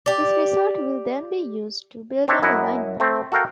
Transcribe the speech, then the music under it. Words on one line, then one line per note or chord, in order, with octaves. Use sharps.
This result will then be used to build an alignment.
G4 D5
C4 D4 C#5 E5
F#2 E4 D#5 F#5
A3 C4
F#4 A4 A#4 F5 G5